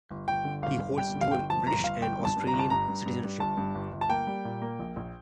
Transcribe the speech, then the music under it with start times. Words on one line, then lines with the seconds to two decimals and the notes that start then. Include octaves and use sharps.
He holds dual British and Australian citizenship.
0.11 G1
0.28 G1 G5
0.45 D3
0.62 G1 F5
0.80 G1
0.97 G3 G5
1.15 D3
1.21 F5
1.31 G1 G5
1.50 F3 A5
1.67 G1 A#5
1.84 G1 F5
2.01 G1 G5
2.19 G2
2.25 A5
2.36 G2
2.47 A#5
2.53 G1
2.59 A5
2.70 G2 A#5
2.88 G2
3.06 G2
3.24 G2
3.40 G1 A5
3.57 G2
3.75 G1
3.92 G1
4.01 A5
4.10 A#3 G5
4.27 G3
4.45 A#2
4.62 A#3
4.79 A#1
4.96 A#1